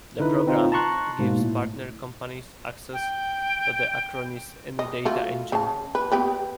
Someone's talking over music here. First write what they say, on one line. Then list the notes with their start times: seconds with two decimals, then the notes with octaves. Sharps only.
The program gives partner companies access to the Acronis AnyData Engine.
0.19 D3 D#4 E4 B4
0.47 C4 D#4 F4
0.72 A5 A#5 C6 C#6 F#6
1.19 G#2 B2 A#3
1.40 A2
2.93 G5
4.79 D#5
5.05 A3 F4 F#4
5.52 C#3 A5
5.95 B4
6.12 B3 G4 B4